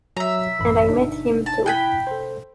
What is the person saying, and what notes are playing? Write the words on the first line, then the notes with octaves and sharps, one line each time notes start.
And I met him, too.
F#3 E5 A#5
A1 F#2 B5
G1 D4 D#4
A5
E4 G5 G#5 B5 F#6 G#6
A4 C5